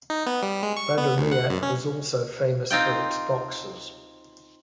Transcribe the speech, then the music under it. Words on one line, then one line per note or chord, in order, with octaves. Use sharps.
Radomiak was also famous for its boxers.
D#4
B3
G3
G#3
C#6
B3
D2
F#5
F#2
C#4
C4 D#4 F4 G5